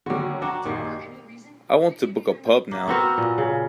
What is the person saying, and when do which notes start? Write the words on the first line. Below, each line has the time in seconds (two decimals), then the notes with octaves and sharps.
I want to book a pub now.
0.06 D3 D#3 F#3 G3 F#4
0.42 D4 F#4 A#5
0.65 A#1 D#3 G4 F5 C7
2.72 A#3
2.88 B3 C4 F#4 A#4
3.18 A#2
3.38 C#3